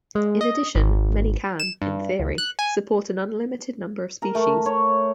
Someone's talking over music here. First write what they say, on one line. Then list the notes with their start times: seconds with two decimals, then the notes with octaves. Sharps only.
In addition, many can, in theory, support an unlimited number of species.
0.15 G#3
0.41 D#5
0.75 G#1
1.60 E7
1.82 G2
2.19 C#2
2.38 F#6
2.59 G#5
4.22 A#4
4.35 A3
4.66 C#5